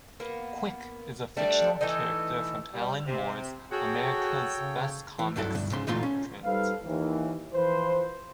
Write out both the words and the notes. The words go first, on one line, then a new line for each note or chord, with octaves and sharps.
Quick is a fictional character from Alan Moore's America's Best Comics imprint.
A#3 B3
G3 A3 D4
E3 A3 D#4 D#5
G3
C3
F#4 G#4 A4 C#5 G5
C#3
E3
C#2 G2 F#3 E4 A4
D2 G2
G#2 C#3 C6
A#2 E3 A3 D#4 F4 C6
C#4
G3 D#4 A4 B4 C5 F5
D#2 E3
E3 F3 B4 C5